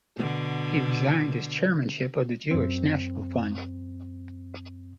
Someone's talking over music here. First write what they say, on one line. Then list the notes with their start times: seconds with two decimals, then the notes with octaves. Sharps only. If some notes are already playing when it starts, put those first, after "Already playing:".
He resigned his chairmanship of the Jewish National Fund.
0.18 B2 D3
2.51 F#2 C4